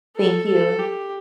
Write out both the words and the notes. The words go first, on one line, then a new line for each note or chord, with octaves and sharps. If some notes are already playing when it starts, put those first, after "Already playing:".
Thank you.
A4
A4
G4